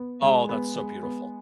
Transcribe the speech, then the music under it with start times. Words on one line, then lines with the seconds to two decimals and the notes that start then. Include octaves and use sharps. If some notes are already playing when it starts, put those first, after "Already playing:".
Oh, that's so beautiful.
Already playing: B3
0.22 G#3
0.49 B3
0.76 G#3
1.03 B3